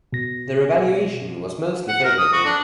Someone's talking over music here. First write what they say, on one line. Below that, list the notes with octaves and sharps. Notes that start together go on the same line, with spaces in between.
Their evaluation was mostly favourable.
B2 A#6
F#5
A#4
D#6
F#4
D4